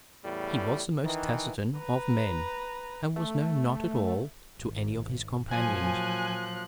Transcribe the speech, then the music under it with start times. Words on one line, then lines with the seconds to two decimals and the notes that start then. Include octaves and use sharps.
He was the most taciturn of men, and was known not at all to any of his companions.
0.24 E2 A2 G3
1.05 D#3 E3
1.78 B4 A#5
3.16 A3
4.59 G#1
5.51 A#2 F3 F#3 G#5 F#6